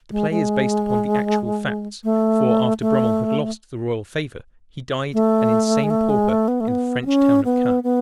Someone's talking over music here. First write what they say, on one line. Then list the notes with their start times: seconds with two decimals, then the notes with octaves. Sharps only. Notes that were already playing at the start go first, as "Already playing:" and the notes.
The play is based upon the actual facts; for after Brummel had lost the royal favor he died an insane pauper in the French town of Caen.
0.11 G#3
0.30 G#3
2.04 A3
2.81 A3
5.13 A3
5.84 G#3
5.90 A3
6.10 G#3
6.29 A3
6.48 B3
6.60 A3
6.68 B3
7.02 B3
7.06 C#4
7.45 B3
7.84 B3